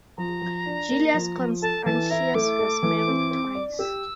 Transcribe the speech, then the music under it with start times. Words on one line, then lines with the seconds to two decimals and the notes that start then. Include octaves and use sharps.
Julius Constantius was married twice.
0.17 F3 A#5
0.41 F3
0.66 D4
0.89 A#3
1.14 F3
1.38 F3
1.62 A4 A5
1.86 E3 A5
2.10 E4 A#5
2.34 A3 D6
2.59 A4
2.83 E3
3.07 C4
3.31 C4
3.55 D5
3.79 G4 E6